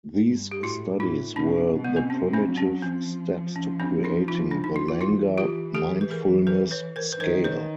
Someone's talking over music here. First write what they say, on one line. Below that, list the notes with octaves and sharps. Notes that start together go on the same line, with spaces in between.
These studies were the primitive steps to creating the Langer Mindfulness Scale.
G2
G4
A2 E4 F#4
A2 D#4 F4
B2 C#4 D#4
B2
B3
C4
C3 C#4
C4 D4
F#3
C#4
F3 C4
C#4
C4 D4
D4 E4
D#4 F4
D4
D#4
E4
F4
E3 E4 F#4
F4 G4
G4 A4
B4
G#4 A#4
A4 B4
B4 C#5
A#4 C5
B4
D#3 A#4 C5
B4 C#5